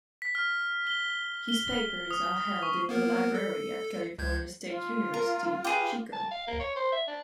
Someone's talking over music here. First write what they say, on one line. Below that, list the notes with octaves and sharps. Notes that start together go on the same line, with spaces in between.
His papers are held in the library at California State University, Chico.
B6
F6
G7
G7
D#6
C#6
A#3 B3 A#4
A4
C#2 G6 G#6
F4
A#4
G4 G#4 B4
A5
F5
A#3
C#5
C5
E5
D4